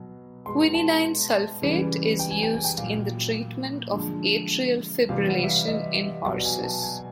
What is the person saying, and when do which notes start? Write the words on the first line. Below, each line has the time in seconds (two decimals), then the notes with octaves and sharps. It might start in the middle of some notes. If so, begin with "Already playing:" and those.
Quinidine sulfate is used in the treatment of atrial fibrillation in horses.
Already playing: B2 F#3
0.46 B2 G#3 C6
0.74 A5
1.62 C#3 E3 G3
2.19 G5
2.31 G#5
2.43 G5
2.54 G#5
2.64 G5
2.77 A#2 F#3 F5
3.94 D3 F3 G#3
5.09 C3 E3 G3 F5
5.29 F#5
5.44 E5
5.48 F5
5.67 D#5
6.25 B2 F#3 D5
6.45 G#5
6.64 A5
6.83 G#5